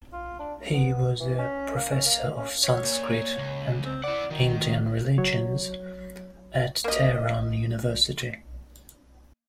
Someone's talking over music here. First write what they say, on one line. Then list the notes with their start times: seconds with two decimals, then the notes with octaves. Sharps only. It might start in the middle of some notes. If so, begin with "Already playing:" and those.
He was a Professor of Sanskrit and Indian religions at Tehran University.
0.13 F4
0.39 D4
0.60 F#2
0.73 B3
1.20 E3
1.38 C#4
1.75 A#3
1.91 C#4
2.05 A#3
2.38 C#4
2.64 C#5
2.84 A#2
3.38 C#2
3.85 C4
4.04 E4 D5 F#5
4.31 D#3 F#4
5.18 F#3 C#5
6.84 A#3 D#5